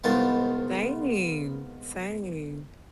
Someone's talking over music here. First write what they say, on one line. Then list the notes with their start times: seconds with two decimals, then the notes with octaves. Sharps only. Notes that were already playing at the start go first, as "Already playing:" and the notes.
Same, same.
0.04 C2 G#2 D#3 B3 F4 A5